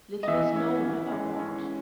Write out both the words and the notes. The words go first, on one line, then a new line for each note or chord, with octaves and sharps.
Little is known about Wand.
D#5
E3 E5
C#4
C#4
G#3
C#4